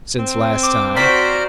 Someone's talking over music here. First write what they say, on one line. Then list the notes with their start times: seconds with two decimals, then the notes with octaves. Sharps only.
"Since last time?"
0.19 C4
0.63 D6
0.96 F#4 C5 D5 A#5 F6 B6